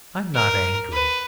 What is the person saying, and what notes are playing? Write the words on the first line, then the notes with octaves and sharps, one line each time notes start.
I am not angry.
A#4
B4